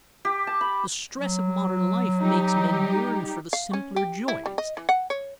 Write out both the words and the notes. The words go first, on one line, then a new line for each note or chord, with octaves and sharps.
The stress of modern life makes men yearn for the simpler joys.
G4
A5
B5
F#3
G3 D#4 G4
F5
C#4
G4
E4
G3
D#5
E3
F#5
C#5